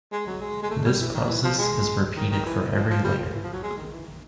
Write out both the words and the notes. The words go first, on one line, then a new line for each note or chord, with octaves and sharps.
This process is repeated for every layer.
G#3
F#3
G#3
G#3
A3
G3
E3
D#3
E3
F3
G#3
D#3
D#3
E3
F3
F3
G3
F3
E3
F3
F#3
G#3
D#3
E3
D#3